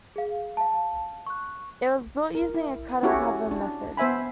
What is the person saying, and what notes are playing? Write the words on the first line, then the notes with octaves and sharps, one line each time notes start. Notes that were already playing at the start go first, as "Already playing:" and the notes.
It was built using a cut-and cover method.
G#4 F5
F5 A5
C#6 F#6
A#4
E4
C#4 E4 F#4 G4 A4 C#5
D4
B3 C5 E5 G#5 B5